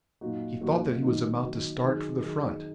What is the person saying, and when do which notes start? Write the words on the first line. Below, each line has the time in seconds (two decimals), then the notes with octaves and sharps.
He thought that he was about to start for the front.
0.21 A#2 F#3 D#4 F#4
0.61 A#2 F#3 D#4 F#4
1.02 D#3 F#3 D#4
1.43 D#3 F#3 D#4
1.83 D#3 F#3 D#4 G#4
2.24 D#3 F#3 D#4 G#4